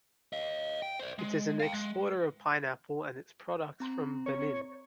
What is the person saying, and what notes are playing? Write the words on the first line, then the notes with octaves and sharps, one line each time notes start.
It is an exporter of pineapple and its products from Benin.
D#5 F5
G5
C5 D5
G#3
F5 G5
G#3
C4 A#5 C6
C#5